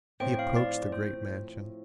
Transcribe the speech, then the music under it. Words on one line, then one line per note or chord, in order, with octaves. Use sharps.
He approached the great mansion.
A2 F3 C4 G5
F5
D5
C5